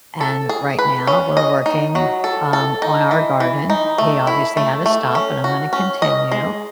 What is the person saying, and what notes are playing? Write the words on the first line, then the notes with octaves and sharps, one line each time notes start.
and right now we're working, um, on our garden. He obviously had to stop, but I'm gonna continue.
A4
G#4
B4
C#4
D#5
D#4
F#3
A4
A4
D#4
E3
E3
D#4
A3
E4
A3
A3
C#4
F#4
C#4
D#5
G#3